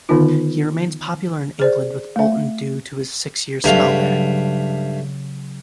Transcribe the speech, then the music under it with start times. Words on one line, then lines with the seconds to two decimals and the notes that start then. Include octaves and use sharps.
He remains popular in England with Bolton due to his six-year spell there.
0.09 D3 D#3 B3 D#4 F4
1.60 G#4 C5 D5
2.16 A3 E5
3.64 G2 C#3 F#3 A3 F5